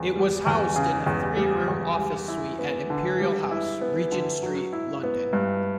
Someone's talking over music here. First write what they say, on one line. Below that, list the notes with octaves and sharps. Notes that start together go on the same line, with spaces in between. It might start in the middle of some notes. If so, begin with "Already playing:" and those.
It was housed in a three-room office suite at Imperial House, Regent Street, London.
Already playing: E2 C#3
G3
E2
C#3
E2
G3
E2
G3
E4
B3
D3
G3
E4
B3
D3
F#3
E4
B3
G2